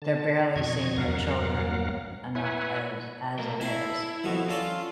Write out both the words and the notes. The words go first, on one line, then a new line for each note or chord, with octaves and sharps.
they're barely seeing their children enough as as it is.
D3 A5
F2 B2 D#5 C#6 G#6
E2 G2 F#3 A#4 F5 F#5
E4 B4 C#5 E5 F#5 G#5
A3 A#4
A3 E4 F5 G#5
F2 B2 D#3
C#4 F4 A4 D5